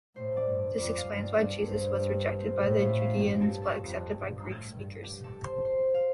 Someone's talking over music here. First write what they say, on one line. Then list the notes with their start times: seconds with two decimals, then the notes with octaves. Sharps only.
This explains why Jesus was rejected by the Judeans but accepted by Greek speakers.
0.16 A2 C5 C6
0.37 D5 D6
0.46 G2
0.77 F2 D5 D6
0.89 D6
0.97 F5 F6
1.07 G2
1.18 D4 D5
1.38 G2 D4 D5
1.69 C4 C5
1.99 G4
2.20 A4
2.40 C4 C5
2.60 A2
2.80 F4 F5
3.00 F4 F5
3.21 G2 G4 G5
3.41 A4 A5
3.62 A4 A5
3.82 F2
4.12 G2
4.43 A2
4.73 G2
5.03 G4 G5
5.24 A4 A5
5.44 C5 C6
5.65 C5 C6
5.94 F5 F6